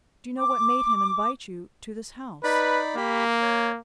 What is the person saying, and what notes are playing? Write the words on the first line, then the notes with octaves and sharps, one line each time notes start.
"Do you know what made him invite you to this house?"
D6
D#4 B4 D5 B5
A#3 G4 B5
C#5